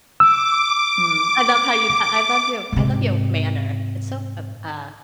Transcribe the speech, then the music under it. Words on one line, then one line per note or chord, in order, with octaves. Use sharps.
Mm, I love how you ta I love you I love your manner. It's so ab uh,
D6 E6
G#2 C3